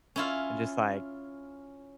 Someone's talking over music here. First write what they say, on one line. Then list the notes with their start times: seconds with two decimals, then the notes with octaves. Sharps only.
and just, like,
0.16 C#4 E4 F4